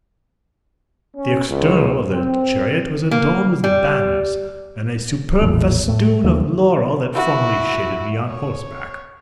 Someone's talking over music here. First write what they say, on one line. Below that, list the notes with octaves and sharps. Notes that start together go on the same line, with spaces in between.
The external of the chariot was adorned with banners, and a superb festoon of laurel that formerly shaded me on horseback.
C#4
C#2
C4
A#3
G3
A1 E2 A#2
A2 A3
D#2 D3 E3 A#3
E4 F#4
C#5